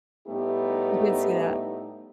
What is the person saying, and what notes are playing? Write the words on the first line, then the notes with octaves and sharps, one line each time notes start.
I did see that.
A2 G3 A3 B3 D#4 G4